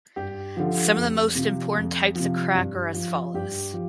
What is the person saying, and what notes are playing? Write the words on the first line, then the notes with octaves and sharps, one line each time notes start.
Some of the most important types of crack are as follows.
G2 G4
D3 F3
F2
C3 F3
F2
C3 F3
G2
F3
G2 G4
F3